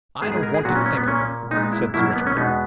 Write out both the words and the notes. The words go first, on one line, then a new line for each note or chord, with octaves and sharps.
"I don't want to think of them," said Sir Richmond.
G#2 D#3 G#3 B3 G#4
G#4
A#4
G#4
A#2 F#3 B3 F#4
C#4
C#4
B3
A#2 A#3 C#4
A#2 G#3 B3 D#4
E4
B2 F#3 A#3 E4
C#4
B3
C#4
E2 B2 G#3 B3 D#4